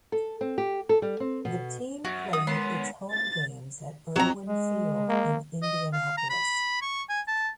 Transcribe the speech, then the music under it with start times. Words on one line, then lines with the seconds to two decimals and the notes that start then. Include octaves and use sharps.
The team played its home games at Irwin Field in Indianapolis.
0.12 A4
0.41 C4
0.58 G4
0.89 A4
1.02 G3
1.20 C4
1.45 B2
2.05 F#2 F#4
2.33 A#4 D#6
2.47 G#3 B3 C#4 B5 C6
3.13 A6
4.16 F2 F#3 A#5
4.48 G#3
5.09 A#3
5.62 D#5
5.93 F5
6.17 A#5
6.30 B5
6.82 C#6
7.09 G#5
7.28 A5